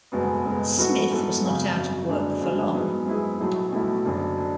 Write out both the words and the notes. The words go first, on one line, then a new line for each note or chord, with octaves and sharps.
Smith was not out of work for long.
F#1 E2 B2 G#3 B3
F#1 E2 B2 G#3 B3
G#2 E3 B3 F#4 A4
G#2 E3 B3 F#4 A4
G#1 F#2 C#3
G#1 F#2 C#3
F#1 F#2 D3 G#3 D4
F#1 F#2 D3 G#3 D4
G#2 F#3 B3 E4 G#4
G#2 F#3 B3 E4 G#4
B1 A2 F#3 A3 E4
B1 A2 F#3 A3 E4
F#1 F#2 D3
D3